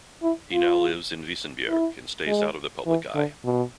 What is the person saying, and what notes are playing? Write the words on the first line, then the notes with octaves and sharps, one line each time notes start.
He now lives in Vissenbjerg, and stays out of the public eye.
E4
F4
E4
G#3
E3
D3
B2